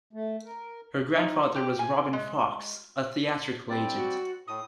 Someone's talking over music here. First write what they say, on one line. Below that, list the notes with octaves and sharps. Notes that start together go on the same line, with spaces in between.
Her grandfather was Robin Fox, a theatrical agent.
A3
A#4
D#4
G4
G#5
G#3
G3 C4 D5
F#4
A2 D#6